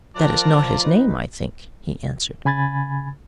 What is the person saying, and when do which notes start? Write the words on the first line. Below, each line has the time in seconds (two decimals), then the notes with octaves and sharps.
"That is not his name, I think," he answered.
0.16 F3 F4 A#4 D5 G5 A5 A#5 F#6
0.83 D#4 B4
2.45 C#3 G#5 B5 G#6 A6